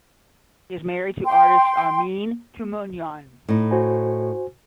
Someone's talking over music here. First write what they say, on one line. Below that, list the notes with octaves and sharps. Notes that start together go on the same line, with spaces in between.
He is married to artist Armine Tumanyan.
G5 C6
A2 D#4
F#4 C5 G#5